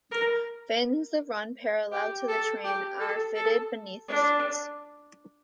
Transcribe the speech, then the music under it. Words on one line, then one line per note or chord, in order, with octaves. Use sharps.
Fins that run parallel to the train are fitted beneath the seats.
A#4
G4
A4
G4
A4
A4
D4